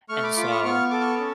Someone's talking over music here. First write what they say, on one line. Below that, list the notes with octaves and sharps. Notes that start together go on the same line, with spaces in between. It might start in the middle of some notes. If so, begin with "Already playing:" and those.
And so,
A3 C#6 F6
B5 D6
F4 B5 D6
C#6 F6
B3 C#6 F6
A4 D6
C#6 F6
C#4